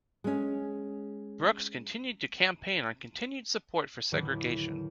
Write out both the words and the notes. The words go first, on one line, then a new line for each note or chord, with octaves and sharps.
Brooks continued to campaign on continued support for segregation.
G#3 C#4
E2 A2 D3 D#3 F#3